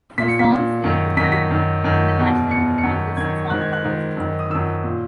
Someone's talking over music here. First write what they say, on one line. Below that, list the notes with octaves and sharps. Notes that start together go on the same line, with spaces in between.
Her song, "Se in Se" won the National Finals Song Contest.
A#2 B6
C#7
B6
A#2
F#2 D#3
F#2 D#3 A#6 B6
B6
F#2 D#3
F#2 D#3
E2 B2
E2 B2 C#7
C#7
F#2 D#3
F#2 D#3 G#6
G#2 D#3 F#6
G#6
F#6
G#2 D#3
F#2 D#3
D#6
F#2 D#3 E6
A#2